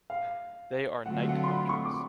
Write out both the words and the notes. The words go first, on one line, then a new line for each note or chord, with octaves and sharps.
They are night hunters.
F5
D3 F#3 A3 C4 F4 F#5
F#5
C6
B5
C#6
D6